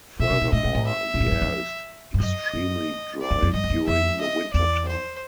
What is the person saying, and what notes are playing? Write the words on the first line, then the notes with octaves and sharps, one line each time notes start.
Furthermore, the air is extremely dry during the winter time.
A#2 E5
C3
A#2
A2 D#5
A2
A2
E5
A#2
A2
F#2
G2
F2
G2
F#2 D#5
F#2
D5
F2
F2
G2 D#5
F2
F#2
F2 E5
D#5
E2 D5
C5